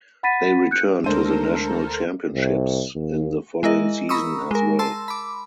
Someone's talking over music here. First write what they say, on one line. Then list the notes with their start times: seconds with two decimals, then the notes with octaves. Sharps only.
They returned to the National Championships in the following season as well.
0.23 F#5 B5 A6 B6 D#7
0.71 F#6 G6 C#7
1.04 D2 G#3 D4 A4 A#4 C5 D#7
2.34 C2
2.95 D#2
3.63 G#3 E4 A#4 D#5
4.09 A#5 B5 C#6 D#6 E6
4.51 G#3 A#4
4.79 A5 C6 E6
5.08 B5 D6